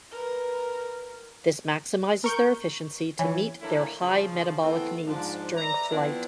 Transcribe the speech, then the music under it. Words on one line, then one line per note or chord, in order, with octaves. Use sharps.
This maximizes their efficiency to meet their high metabolic needs during flight.
A#4 B4
A#4 C#6 G6
E3 C#5
D3 A3 A#3 C#4 D4 E4
C#3 F3
E3 A3 B3 C4
G#2 F3 D4
B4 D5 E5 A#5
F3 B3 C4 D4 E4 F4